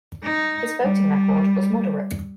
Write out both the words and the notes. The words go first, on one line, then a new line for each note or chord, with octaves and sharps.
His voting record was moderate.
D#4
G3